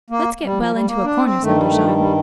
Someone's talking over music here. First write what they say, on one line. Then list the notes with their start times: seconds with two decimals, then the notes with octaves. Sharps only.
"Let's get well into a corner," said Brujon.
0.10 A#3
0.44 G3
0.57 F3
0.71 G3
0.86 A#3
1.04 D4
1.23 C4
1.42 G2 D#3 A3
1.56 G3
1.70 A3
1.84 G3
1.98 G3